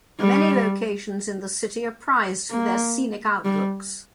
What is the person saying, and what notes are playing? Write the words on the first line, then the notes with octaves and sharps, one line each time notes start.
Many locations in the city are prized for their scenic outlooks.
G3
A#3
G3